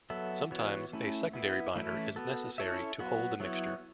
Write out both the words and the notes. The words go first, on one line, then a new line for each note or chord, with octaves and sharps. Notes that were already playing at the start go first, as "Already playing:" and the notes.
Sometimes a secondary binder is necessary to hold the mixture.
F#3 B3 A4 E5
E3 B3 F#4 C#5
A3 C#4 E4
B3 E4 B4
E3 A3 C#4 E4 B4
B3 F#4 A4
C#4 E4 A4 C#5 E5
F#3 B3 F#4
F#3 B3 E4 C#5